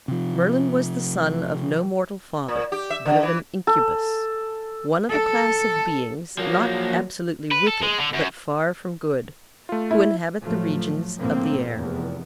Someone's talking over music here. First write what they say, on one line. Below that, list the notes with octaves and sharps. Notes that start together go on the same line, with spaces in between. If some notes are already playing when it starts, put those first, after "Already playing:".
Merlin was the son of no mortal father, but of an Incubus, one of a class of beings not absolutely wicked, but far from good, who inhabit the regions of the air.
C3 F3
A#2
G4
E5
D3
E3
A4
A4
F3 F#3 A#3
B4
A4
G#3
D3
F#2
A3 F4
E4
A1 F3 F#3 A3
A#1 A2 A#3 C4
F1 E2